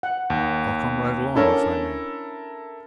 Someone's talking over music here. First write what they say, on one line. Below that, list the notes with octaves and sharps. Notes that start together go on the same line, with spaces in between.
"I'll come right along if I may."
F#5
D#2
C#4 D4 E4 A4 A#4 C#5